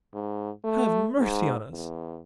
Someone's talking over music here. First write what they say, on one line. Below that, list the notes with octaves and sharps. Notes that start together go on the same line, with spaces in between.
"Have mercy on us!"
G#2
A3
G#2
E2